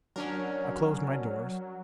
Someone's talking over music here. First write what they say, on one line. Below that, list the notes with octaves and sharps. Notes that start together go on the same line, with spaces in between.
I closed my doors.
F#3 C#4 D4 A#4